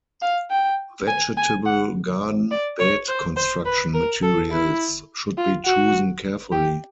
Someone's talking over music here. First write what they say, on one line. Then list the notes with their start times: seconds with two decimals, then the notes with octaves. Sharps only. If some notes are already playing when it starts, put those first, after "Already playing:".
Vegetable garden bed construction materials should be chosen carefully.
0.22 F5
0.51 G5
1.08 G#5
1.37 G#5
1.66 F#5
2.51 D5
2.80 C#5
3.09 C5
3.37 C5
3.65 B4
3.94 A#4
4.23 A4
4.51 E4
5.38 F4
5.65 F#4
6.52 G4